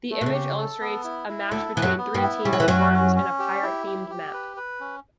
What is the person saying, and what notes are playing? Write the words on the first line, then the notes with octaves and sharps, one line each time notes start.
The image illustrates a match between three teams of worms in a pirate-themed map.
A3
B2
C#3
G4
A4
B3
E4
E4
D2 D3 A4
E3 B3
F#2 F#3
B3
G2 G3
E4
G3 C#4
F#3
E3
F#2 F#3 C#4
C#4
C#4
G4
E4
G4
G4
B4
B4
C#4